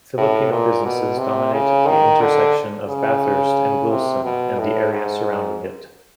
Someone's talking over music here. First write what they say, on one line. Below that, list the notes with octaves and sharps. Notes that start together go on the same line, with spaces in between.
Filipino businesses dominate the intersection of Bathurst and Wilson and the area surrounding it.
A2
A#2
B2
C3
C#3
D#3
D3
C#3
C3
B2
A2
G#2